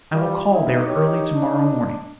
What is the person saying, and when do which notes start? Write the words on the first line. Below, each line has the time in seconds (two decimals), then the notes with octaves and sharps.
I will call there early to-morrow morning.'
0.13 G3 F4
0.51 D#4 E4
0.87 G4 C#5
1.35 D4